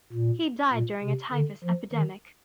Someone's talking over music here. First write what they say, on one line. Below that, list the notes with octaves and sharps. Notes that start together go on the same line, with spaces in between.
He died during a typhus epidemic.
A#2
A#2
C3
D3
F3
D#3